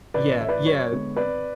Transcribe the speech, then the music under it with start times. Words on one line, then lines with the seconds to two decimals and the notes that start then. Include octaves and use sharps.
Yeah, yeah.
0.14 A1 B4 D5
0.40 A2 E3 E5
0.49 B4 D5
0.65 F#2 C#5
0.92 D3 G#3 B3
1.17 G#1 B4 D5